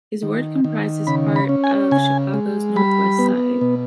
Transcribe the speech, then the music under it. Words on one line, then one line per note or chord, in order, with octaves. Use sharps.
His ward comprises part of Chicago's Northwest Side.
D#3
D#3
C#3 B5
B5
C#4
G#5
C#3 G#5
G#3
G3 B5
B3
B2